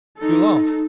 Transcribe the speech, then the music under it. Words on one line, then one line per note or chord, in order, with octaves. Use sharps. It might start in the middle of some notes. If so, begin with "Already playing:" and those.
You laugh!
D#4 A4